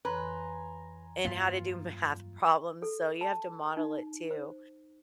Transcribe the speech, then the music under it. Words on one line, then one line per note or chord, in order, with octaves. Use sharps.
and how to do math problems, so you have to model it too.
F2 E3 B4 C#5 G#5 A#5 C6
G2 F#3 A#3 F4
A4
A5
D#4
C5